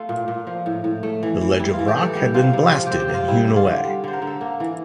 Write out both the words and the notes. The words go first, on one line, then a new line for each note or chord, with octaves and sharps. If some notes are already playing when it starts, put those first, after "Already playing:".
The ledge of rock had been blasted and hewn away.
Already playing: A3 F4
A#2
A#2
F3
A2
A2
A3
E3
E3
G3 E4
F4
E3
G4
E3 A4
G3 G4
C3 F4
C3
F3 F4
C4 G4
G4
C3 F4
G3 E4
D4
F4
D3
G3
D3 C5
A#4
D3
A4
A#3
E3